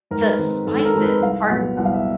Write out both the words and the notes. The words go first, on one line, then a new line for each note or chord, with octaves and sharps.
the spices are,
G#2 A#4
B4
A#4
D#3 G#3 C4 D#4
G#2 A4
A4
A#4
D#3 G#3 C4 D#4
B4
C2 F5
A#2 F#3 B3 F#5
C2 F#5
F5
E5